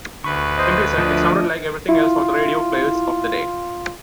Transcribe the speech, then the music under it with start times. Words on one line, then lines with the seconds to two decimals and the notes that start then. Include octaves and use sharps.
Simply said, it sounded like everything else on the radio playlists of the day.
0.24 D2 B4 C#6
0.58 C5 D#5
0.98 F3 A3 D4 D#5
1.89 E4 F4